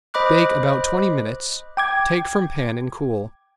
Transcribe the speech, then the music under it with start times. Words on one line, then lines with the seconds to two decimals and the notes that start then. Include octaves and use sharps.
Bake about twenty minutes, take from pan and cool.
0.14 C5 D#5 B5 D6 F#6
1.77 G5 D6 G#6